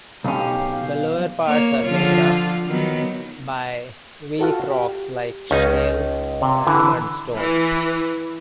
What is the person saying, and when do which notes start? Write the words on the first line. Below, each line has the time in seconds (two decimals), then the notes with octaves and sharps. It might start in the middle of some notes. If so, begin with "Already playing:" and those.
The lower parts are made up by weak rocks like shale and mudstone.
0.24 B1 C#4 G4 F5
1.46 A#3 C#5
1.84 D3 F3 F4
2.67 D#3 F#3 B3
4.39 F4 F#4 A4
4.71 G4
5.51 C#2 C#4 D#4 D#5
6.42 C3
6.67 D3 E3
7.37 E3